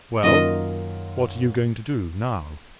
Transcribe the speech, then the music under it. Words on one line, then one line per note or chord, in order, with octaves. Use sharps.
"Well, what are you going to do now?"
F#2 D#3 A#3 F4 A#4 D#5